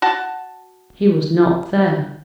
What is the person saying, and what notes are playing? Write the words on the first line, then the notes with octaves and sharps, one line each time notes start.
He was not there.
F#4 A5